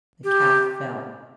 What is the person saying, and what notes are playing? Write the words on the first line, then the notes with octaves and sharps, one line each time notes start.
The calf fell.
G4